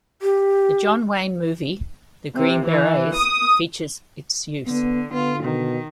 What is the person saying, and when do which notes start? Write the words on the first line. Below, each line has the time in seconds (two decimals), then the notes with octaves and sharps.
The John Wayne movie "The Green Berets" features its use.
0.22 G4
2.35 C3
2.66 E3
3.16 D#6
4.67 D3 B3
5.13 D3 B3 F4
5.43 B2 D#3